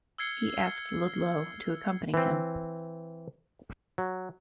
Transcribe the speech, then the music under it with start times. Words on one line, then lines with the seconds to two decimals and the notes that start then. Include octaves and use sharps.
He asked Ludlow to accompany him.
0.18 E6 F6 G#6 C7 C#7 G7
2.14 E3 C4
3.98 F#3